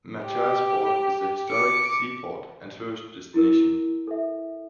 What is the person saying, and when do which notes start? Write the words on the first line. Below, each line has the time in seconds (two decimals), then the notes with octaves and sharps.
Machiasport is a historic seaport and tourist destination.
0.24 G4
1.49 D6 C#7
3.34 E4 A#4
4.07 A4 E5